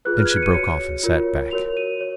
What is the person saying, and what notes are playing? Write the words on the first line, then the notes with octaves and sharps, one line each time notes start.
Then she broke off and sat back.
F4 G#4 B4 F#6
F6
G#6
F#6
C#7
D#7
F#4 C#5 C#7
F4 A#4 C#5
F#4 A#4 C#5 F7
D#7
C#5